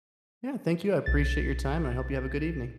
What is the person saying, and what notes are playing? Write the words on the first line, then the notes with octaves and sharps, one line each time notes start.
Yeah, thank you. I appreciate your time, and I hope you have a good evening.
B1 A6